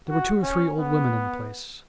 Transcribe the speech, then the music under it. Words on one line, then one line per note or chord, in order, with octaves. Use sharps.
There were two or three old women in the place.
F#4
C#4
B3